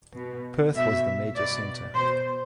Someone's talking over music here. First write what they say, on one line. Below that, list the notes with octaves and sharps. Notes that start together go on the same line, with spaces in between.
Perth was the major centre.
B2
B2 E5
B2 D5
B2 C5